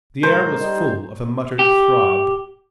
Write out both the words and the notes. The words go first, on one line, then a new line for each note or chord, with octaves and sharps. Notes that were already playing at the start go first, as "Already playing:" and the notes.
The air was full of a muttered throb.
G#2 B2 A#4 C5
G3 D#4
G4